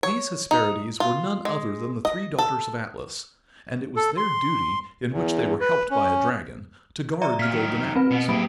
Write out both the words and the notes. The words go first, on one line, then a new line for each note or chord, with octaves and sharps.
These Hesperides were none other than the three daughters of Atlas, and it was their duty, in which they were helped by a dragon, to guard the golden apples.
C#5
D#4
F4
G#3
D#5
A4
A4
C6
E2
B4
C#4
D5 E5 A#5
A#2 F6 B6
D#3 F#3
C4 B4
B2 B3
A2 F#3 A#3 G4 B5